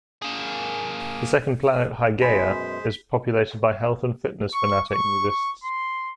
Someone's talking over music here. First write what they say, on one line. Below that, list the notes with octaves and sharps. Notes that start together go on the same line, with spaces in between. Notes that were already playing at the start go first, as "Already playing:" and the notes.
The second planet, Hygeia, is populated by health and fitness fanatic nudists.
A#3 G#4
F#2 B2 G#3 C5 G#5 B5 B6
C#6
C#6
C#6
C6